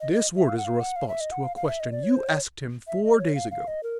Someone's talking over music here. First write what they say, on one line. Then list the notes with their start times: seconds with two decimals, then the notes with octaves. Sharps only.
This word is a response to a question you asked him four days ago.
0.01 D#5
0.13 D#5
0.37 E5
0.48 F5
0.57 F#5
0.65 F5
0.81 F#5
0.96 F5
1.08 E5
1.21 D#5
1.32 F#5
1.45 F5
1.56 F5
1.67 E5
1.80 D#5
1.92 D5
2.03 C#5
2.15 C5
2.28 C#5
2.87 E5
3.04 D#5
3.19 C#5
3.35 F5
3.51 F5
3.68 D#5
3.83 A#4